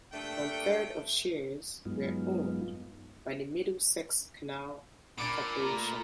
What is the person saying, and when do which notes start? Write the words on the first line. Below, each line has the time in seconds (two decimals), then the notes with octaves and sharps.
One-third of shares were owned by the Middlesex Canal Corporation.
0.13 G2 A#2 A3 D4 A4 G5
1.85 G2 F#3 G#3 B3 D#4 F4
5.18 A#2 D4 F#5 B5 D6
5.63 A3 A#5